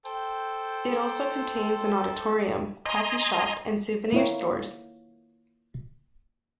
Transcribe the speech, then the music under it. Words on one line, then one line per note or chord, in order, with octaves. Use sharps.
It also contains an auditorium, coffee shop and souvenir stores.
A4 C5 G5
D#5 G#5 A#5 C6
A#3 E4 C#5